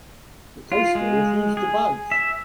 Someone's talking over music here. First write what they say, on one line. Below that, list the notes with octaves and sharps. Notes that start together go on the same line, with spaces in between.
The coaster refused to budge.
F4
G#3
G#4
E5